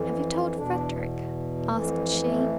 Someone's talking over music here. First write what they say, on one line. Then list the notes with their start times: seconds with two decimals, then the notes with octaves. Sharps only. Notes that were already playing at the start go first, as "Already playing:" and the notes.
'Have you told Frederick?' asked she.
Already playing: F2 E3
0.57 E2 B2 D4
1.68 F2 E3 G#3
1.83 A3
1.97 G#3
2.11 A3
2.25 A3